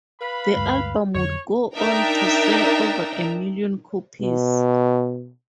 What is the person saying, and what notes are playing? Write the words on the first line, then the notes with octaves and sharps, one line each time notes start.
The album would go on to sell over a million copies.
B4 F5 B5
D2 G2 G#3
F2 D3 F#3 C#5
D4 D#4 A#4 E5 G5 A#5
B2